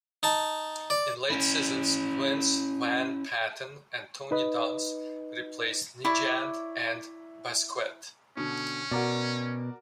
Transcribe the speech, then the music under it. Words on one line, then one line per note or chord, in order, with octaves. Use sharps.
In later seasons, Vince Van Patten and Tony Dunst replaced Nejad and Busquet.
D#4 A5
D5
C#4 E4
D#4 B4 D#5
E4 C#5 D5 D6
B2 D3 C#4
B2 F#4 A#4 D5